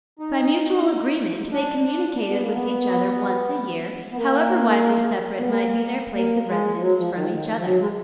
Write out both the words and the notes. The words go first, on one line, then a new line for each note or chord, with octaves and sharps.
By mutual agreement they communicated with each other once a year, however widely separate might be their place of residence from each other.
D#4
D4
D4
D4
B3
A#3
B3
B3
A#3
B3
A#3
A#3
G#3
F3
F#3
F3
D#3
D#3
F3
F#3
G#3